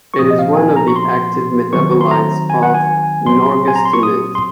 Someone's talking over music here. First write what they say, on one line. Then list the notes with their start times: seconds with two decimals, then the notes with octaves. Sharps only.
It is one of the active metabolites of norgestimate.
0.14 C#6
0.19 A#2 F3 C4 D#6
0.31 D#5
0.39 F5
0.57 G#5
0.76 A#5
0.88 C#6
0.96 C6
1.73 D#3 F#3 C4 C#6
2.01 C6
2.11 A#5
2.50 G#5
2.63 F#5
2.74 G#5
3.26 A#2 F#3 C4 C6
3.68 G#5
3.76 A#5
3.85 C6
3.93 C#6
4.03 D#6
4.35 C6